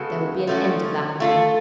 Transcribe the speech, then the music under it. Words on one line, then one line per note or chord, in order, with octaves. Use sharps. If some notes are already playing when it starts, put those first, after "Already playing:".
There will be an end of that now.
Already playing: C#3 G#3 B3 F#4 A4
F3 A3 C#4 F#4
A3 F4 A4